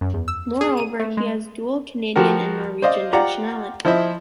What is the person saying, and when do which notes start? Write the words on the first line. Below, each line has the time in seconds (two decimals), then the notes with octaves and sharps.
Moreover, he has dual Canadian and Norwegian nationality.
0.01 F#2
0.14 E2
0.28 E6
0.61 G#4
0.77 D#7
1.00 A3
1.17 G#3
2.16 F3 F#4 G4 A#4
2.82 C5 D5 D#5 F5
3.13 F4 G4 D5 F#5 A#5
3.85 F3 E4 C5 D#5 E5